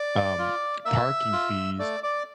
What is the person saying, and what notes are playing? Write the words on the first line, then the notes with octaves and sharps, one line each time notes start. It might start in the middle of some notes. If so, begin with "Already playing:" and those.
um, parking fees,
Already playing: D5 D6
F4
A#3 E5 E6
F4
A3 D5 D6
D5 D6